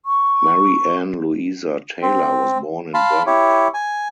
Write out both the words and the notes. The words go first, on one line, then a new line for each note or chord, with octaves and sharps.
Mary Ann Louisa Taylor was born in Birmingham.
C#6
C4
F5 A5 B5 C6
E4 G4 C#5
G#5